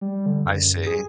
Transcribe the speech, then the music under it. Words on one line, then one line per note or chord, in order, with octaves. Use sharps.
I see.
G3
D3
F#2
G#4